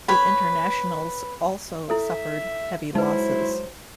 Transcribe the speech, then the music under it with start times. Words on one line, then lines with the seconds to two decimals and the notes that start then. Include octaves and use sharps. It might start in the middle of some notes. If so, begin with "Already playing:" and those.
The Internationals also suffered heavy losses.
0.08 B4 C#5 B5
1.90 E4 A4 E5
2.95 F#3 G#3 D#4 E4 B4 C5